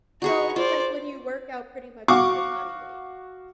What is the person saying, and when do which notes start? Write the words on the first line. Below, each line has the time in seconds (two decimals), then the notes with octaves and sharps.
so it's like when you work out pretty much with your body weight,
0.22 F#4 G#4 B4 A#5 C#6
0.56 F4 C5 D5
2.08 F#4 F5 C#6 D6